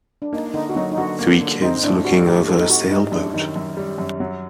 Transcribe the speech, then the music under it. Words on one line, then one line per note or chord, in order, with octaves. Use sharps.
Three kids looking over a sailboat.
D4
A#3 D#4
D3 D#4
F#4
F#3 D#4
D#4
D3 F#4
A#3
D3
C4 D#4
A2 D4
G3 F#4
A2 G4
C4 A4
D#4
A2 F#4
G3 D#4
F#2 D4
D#3 D#4
F#2
G3
F#2
F#3